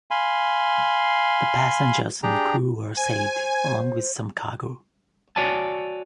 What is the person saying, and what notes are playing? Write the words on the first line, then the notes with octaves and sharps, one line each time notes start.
The passengers and crew were saved, along with some cargo.
F5 G#5 B5 C6
D4 G4 G#4 G5 A#5
C5 G#5
F#4 C#5 D5 G#5 A5